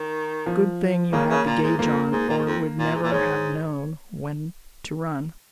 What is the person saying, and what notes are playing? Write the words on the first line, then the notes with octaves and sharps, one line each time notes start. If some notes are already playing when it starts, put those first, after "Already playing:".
Good thing you had the gauge on or we'd never have known when to run.
Already playing: D#3
F3
C#3 A#3
C#3
A#2
G#2
F2 A#3
G#2
A#2
G#2
F2
A#2
G#2
A#2
G#2 C#5